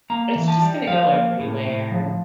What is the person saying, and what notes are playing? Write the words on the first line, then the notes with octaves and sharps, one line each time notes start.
It's just gonna go everywhere.
A#3 A#5
E3
A5
G3
F3 F5
A#3
A2
A2
F3